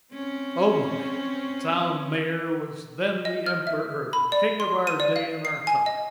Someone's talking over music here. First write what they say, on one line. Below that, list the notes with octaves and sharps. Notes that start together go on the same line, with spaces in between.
Oh my! the town mayor was then the emperor, the king of our day and our time.
C4 C#4
D#5
F6
E5
B5
D5
C6
D#7
D5
F5
C7
G#5
D#5